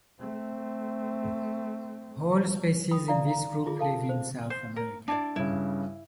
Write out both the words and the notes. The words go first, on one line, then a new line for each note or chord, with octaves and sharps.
All species in this group live in South America.
A3 C4
G5 B5 D#6
E4 D5 F5 A#5
F5 A#5
E4 F4 G#4
A4 F5 A5
C5
C5
A#4
D4 E4 D5
G2 C#3 E4